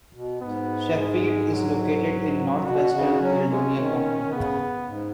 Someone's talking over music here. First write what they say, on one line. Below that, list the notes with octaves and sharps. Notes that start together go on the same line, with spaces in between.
Sheffield is located in northwestern Caledonia County.
B2
G#2 B3
G#3
F#3
B2 F#4
C#3
F#3 C#4
G#3
D#3
D#3
C#3 B3
G#2